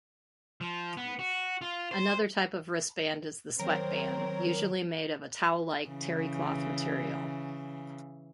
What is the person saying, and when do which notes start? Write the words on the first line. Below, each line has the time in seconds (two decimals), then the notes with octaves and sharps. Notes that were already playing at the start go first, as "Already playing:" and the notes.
Another type of wristband is the sweatband; usually made of a towel-like terrycloth material.
0.61 F3
0.97 B3
1.19 F#4
1.61 F4
1.91 C5
3.59 D#3 F#3 C4 A#4 C#5
5.88 C#3 E3